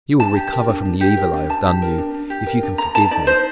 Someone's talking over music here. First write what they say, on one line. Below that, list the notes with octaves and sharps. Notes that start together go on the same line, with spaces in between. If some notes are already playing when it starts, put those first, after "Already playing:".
You will recover from the evil I have done you, if you can forgive me.
D4 A5
G4
A#4
D4
D4
G4
A#4
D4
D4 A5
G4
A#4
D4
D4
G4
A#4
D4
A4 A#5
A4 A5
D#4 D5
D#4 C5